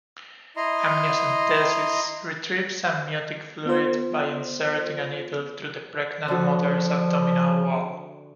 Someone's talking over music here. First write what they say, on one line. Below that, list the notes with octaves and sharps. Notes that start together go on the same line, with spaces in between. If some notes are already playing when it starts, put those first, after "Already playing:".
Amniocentesis retrieves amniotic fluid by inserting a needle through the pregnant mother's abdominal wall.
E4 D#5 A#5 C6
B3 F4 C5
D3 F3 F#4